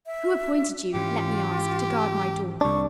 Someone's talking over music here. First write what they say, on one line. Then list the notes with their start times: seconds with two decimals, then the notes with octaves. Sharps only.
Who appointed you, let me ask, to guard my door?
0.06 E5
0.94 G#2 E3 C#4 F4 G4
2.61 C2 D4 C#6